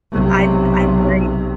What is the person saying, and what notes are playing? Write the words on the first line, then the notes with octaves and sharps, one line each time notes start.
I'm I'm very
B1 C3